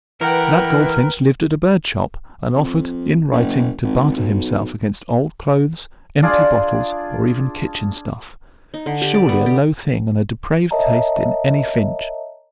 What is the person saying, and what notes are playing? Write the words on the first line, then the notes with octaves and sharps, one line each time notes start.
That goldfinch lived at a bird-shop, and offered, in writing, to barter himself against old clothes, empty bottles, or even kitchen stuff. Surely a low thing and a depraved taste in any finch!
E3 A#4 B4 F#5 G5
F2
F#1
G#1
B1
D4 F4 G#4 D5
D#4
D3
G4
D5
B3
G4
A#4 C#5 D#5 E5 A5 A#5